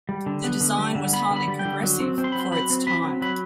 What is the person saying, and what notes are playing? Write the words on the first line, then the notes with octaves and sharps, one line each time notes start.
The design was highly-progressive for its time.
G3
D3
B3
D3
G3
D3
B3 B5
D3
B5
G3
G5
D3
F#3
C4
C4
C6
B5
F#3 C6
F#3 B5
C4
C4 B5
F#3
F#3 B5